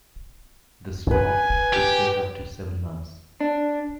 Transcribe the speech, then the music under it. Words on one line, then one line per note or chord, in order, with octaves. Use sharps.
The swap could take up to seven months.
B4 G#5
G4
D4